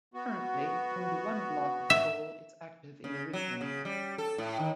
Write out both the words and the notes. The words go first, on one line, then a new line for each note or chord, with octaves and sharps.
Currently only one block of coal is active in the region.
B3 F#4
E5
C#3
F#3
C#3
G3
A4
A2
D#3